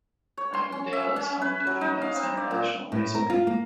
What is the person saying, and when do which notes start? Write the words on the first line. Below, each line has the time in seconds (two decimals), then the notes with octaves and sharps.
Avondale is home to Phoenix International Raceway.
0.37 C#5
0.54 C6
0.72 C#4
0.93 E5
1.16 C#4
1.42 B4
1.67 F#3
1.81 D#4
2.02 F5
2.16 C4
2.37 D5
2.51 A#2
2.92 A2
3.15 A#4
3.30 F4
3.47 A#3